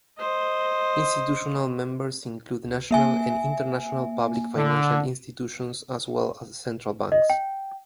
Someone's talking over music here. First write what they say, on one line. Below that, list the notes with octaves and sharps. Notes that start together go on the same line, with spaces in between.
Institutional members include national and international public financial institutions as well as central banks.
C5 D#5
A#3 E5 G#5
D3
D#5
G5